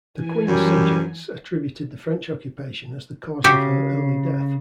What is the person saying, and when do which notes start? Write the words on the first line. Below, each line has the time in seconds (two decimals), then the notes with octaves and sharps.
The queen's subjects attributed the French occupation as the cause of her early death.
0.14 E3 G#5
0.48 F#2 G3
3.44 C#3 F#4 G4 E5